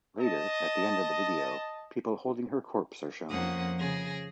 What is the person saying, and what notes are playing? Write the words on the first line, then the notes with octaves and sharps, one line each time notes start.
Later, at the end of the video, people holding her corpse are shown.
D#5 A5
F2 F3 A#3 C#4 F#5 D#6
C#3 G#4 A#6